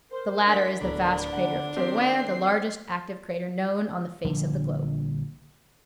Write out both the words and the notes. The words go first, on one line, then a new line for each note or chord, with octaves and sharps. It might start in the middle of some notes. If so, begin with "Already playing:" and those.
The latter is the vast crater of Kilauea, the largest active crater known on the face of the globe.
A#4 C5
D4 E4 F#5 B6
D1 B3 D4 A4 A#4 B5
D3 F#5
D#3 C4 G4 C5 C7
A#1 D3 F3 G3